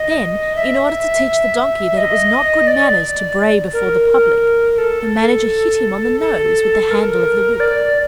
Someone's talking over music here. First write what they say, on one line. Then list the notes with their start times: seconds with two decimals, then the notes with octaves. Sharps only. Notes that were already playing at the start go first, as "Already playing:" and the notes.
Then, in order to teach the Donkey that it was not good manners to bray before the public, the Manager hit him on the nose with the handle of the whip.
Already playing: D#5
0.56 E5
1.97 D#5
2.67 D5
3.73 A#4
4.78 A4
6.20 A4
6.91 A#4
7.60 D5